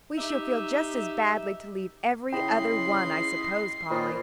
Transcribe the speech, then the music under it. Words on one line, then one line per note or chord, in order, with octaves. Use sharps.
"We shall feel just as badly to leave every other one, I suppose, Polly."
D#4 G4 E5
C#3 E4 D#5 G5 B5 C6 C7
A#2 C#4 C5 D5 D#5 B5